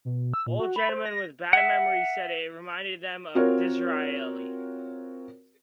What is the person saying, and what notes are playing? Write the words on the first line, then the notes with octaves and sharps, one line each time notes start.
Old gentlemen with bad memories said it reminded them of Disraeli.
B2
E6
A#2
F#4
B5
C5
A#6
E5 F#5
C4 F4 F#4 A#4 C#5